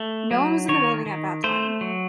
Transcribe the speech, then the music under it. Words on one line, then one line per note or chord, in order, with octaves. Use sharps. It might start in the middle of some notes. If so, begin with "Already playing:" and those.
No one was in the building at that time.
Already playing: A3
F#3
D#3 C#5
D#3
A3 C5
F#3